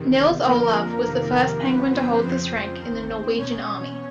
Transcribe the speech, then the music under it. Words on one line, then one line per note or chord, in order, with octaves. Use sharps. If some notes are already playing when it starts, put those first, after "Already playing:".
Nils Olav was the first penguin to hold this rank in the Norwegian army.
Already playing: E2 C3 D#3
F2 D3 F3 A#3 A#4
F2 C3 D#3
G2 D3 F3 B3 B4
C4 C5
F2 C#3 F3 C4 C5
D#2 D#3
E2 B2 C#4 C#5